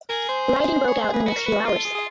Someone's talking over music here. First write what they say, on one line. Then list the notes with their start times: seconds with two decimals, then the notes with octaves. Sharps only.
Rioting broke out in the next few hours.
0.09 G#4 A#4
0.29 C5
0.87 C#5
1.01 C5
1.13 B4
1.26 F#4 B4
1.37 A#4
1.46 B4
1.65 F4 A#4
1.75 A4
1.85 G#4
1.95 G#4